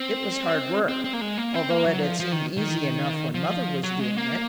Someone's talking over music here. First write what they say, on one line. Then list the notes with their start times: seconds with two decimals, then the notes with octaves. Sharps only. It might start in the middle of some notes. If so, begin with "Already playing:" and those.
It was hard work, although it had seemed easy enough when mother was doing it.
Already playing: C4
0.88 C4
1.04 C4
1.13 A#3
1.21 G#3
1.38 A#3
1.54 C4
1.70 A#3
1.86 F#3
2.03 F3
2.20 F3
2.32 D#3
2.58 D#3
3.34 F3
3.83 F#3
4.00 G#3
4.17 A#3